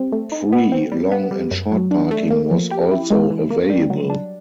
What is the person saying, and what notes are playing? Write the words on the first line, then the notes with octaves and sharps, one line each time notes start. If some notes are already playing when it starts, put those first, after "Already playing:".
Free long and short parking was also available.
Already playing: G3 C4
A3
D#4
B3
C4
G3
B3
G3
F#2
F#3
D4
A3
A#3
F3
G4
E4
G#3
E3
A#3
G3
F#3
D4